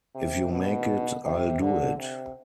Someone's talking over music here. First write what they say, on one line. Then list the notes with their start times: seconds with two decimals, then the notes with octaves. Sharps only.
If you make it, I'll do it'.
0.15 C3
0.52 B2
1.24 C3
1.62 D3
1.98 C3